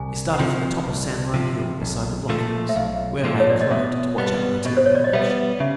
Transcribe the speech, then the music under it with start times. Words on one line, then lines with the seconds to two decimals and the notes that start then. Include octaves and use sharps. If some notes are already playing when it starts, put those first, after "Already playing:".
It started from the top of San Juan Hill beside the block-house, where I had climbed to watch our artillery in action.
Already playing: C2 G#5
0.33 F#5
0.39 C3 F3 G5
0.87 C2
1.34 C3 F3
1.81 B1
2.29 A#2 F3 A3
2.69 E5
2.76 B1 F5
3.24 A#2 F3 A3
3.40 C#5
3.50 D5
3.61 D#5
3.71 B2 E5
4.18 G3 B3
4.65 B2 D#5
4.77 C5
4.86 C#5
4.95 D5
5.04 D#5
5.13 G3 B3 E5
5.60 C#3 E5